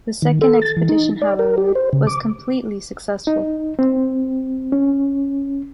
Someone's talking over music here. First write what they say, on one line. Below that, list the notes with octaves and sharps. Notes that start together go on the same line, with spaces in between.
The second expedition, however, was completely successful.
D#3
A4
A6
E3
D#4
D5
A#4
G4
C5
C#3
D6
D#4
C4
C#4